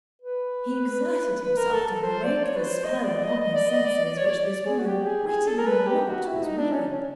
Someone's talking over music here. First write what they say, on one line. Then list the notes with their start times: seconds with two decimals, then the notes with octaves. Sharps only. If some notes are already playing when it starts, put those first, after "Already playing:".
He exerted himself to break the spell upon his senses which this woman, wittingly or not, was weaving.
0.21 B4
1.43 B4
1.57 A#4
1.73 A4
1.87 A4
2.03 C5
2.23 D5
2.44 C#5
2.56 B4
2.63 C5
2.84 D#5
3.04 D5
3.24 D#5
3.39 D#5
3.55 D5
3.70 D#5
3.85 D5
4.05 D5
4.17 C#5
4.26 D5
4.45 D5
4.65 G#4
4.79 F#4
4.87 G4
5.06 G#4
5.27 G#4
5.47 A4
5.58 A#4
5.67 B4
5.86 G4
6.07 F#4
6.27 E4
6.43 D#4
6.58 D4
6.72 C#4
6.87 C#4